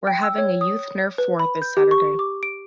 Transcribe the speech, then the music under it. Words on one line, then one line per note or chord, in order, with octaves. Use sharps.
We're having a youth nerf war this Saturday.
G5
E6
C#5
D#6
B4
B5
G6
G4
C#6
D6
D7